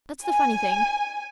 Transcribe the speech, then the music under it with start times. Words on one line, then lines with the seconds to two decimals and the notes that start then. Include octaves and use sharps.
That's the funny thing.
0.24 G#5